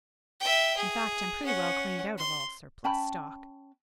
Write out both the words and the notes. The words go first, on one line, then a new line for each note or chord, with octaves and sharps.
In fact, I'm pretty well cleaned out of all surplus stock.
E5 G5
G#4
C#4 F#5
C6
C#4 G5 A5 B5